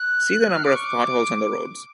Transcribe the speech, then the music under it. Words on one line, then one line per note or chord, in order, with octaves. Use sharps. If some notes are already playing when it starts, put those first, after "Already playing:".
See the number of potholes on the roads.
Already playing: F#6
F6
D6
C#6
D6